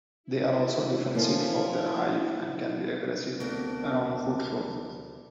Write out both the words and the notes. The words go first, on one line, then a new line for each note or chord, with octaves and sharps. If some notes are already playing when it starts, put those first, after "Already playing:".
They are also defensive of their hive and can be aggressive around food sources.
E4
F3 A#3 C#4 A4
D2 B3 C4 D4 A#4 G5